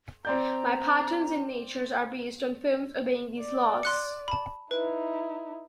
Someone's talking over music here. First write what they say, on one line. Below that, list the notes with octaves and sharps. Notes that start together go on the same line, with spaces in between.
Many patterns in nature are based on foams obeying these laws.
C4 D5 A#5 G6
D5
C6 F#6 C#7
A5 B5
D#4 E4 B4